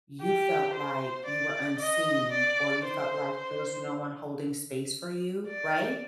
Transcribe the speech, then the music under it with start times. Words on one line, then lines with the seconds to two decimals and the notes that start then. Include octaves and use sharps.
"You felt like you were unseen or you felt like there was no one holding space for you, right?"
0.21 G4
0.73 C5
1.26 D5
1.79 D#5
2.32 D5
2.85 C5
3.38 C5
5.48 D5